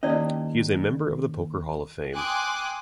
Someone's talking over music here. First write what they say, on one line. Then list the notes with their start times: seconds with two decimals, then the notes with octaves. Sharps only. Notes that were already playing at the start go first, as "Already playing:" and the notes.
He is a member of the Poker Hall of Fame.
0.03 D#2 C#4 E4 D5 D#5
2.15 G5 G#5 C6 D6 D#6 F#6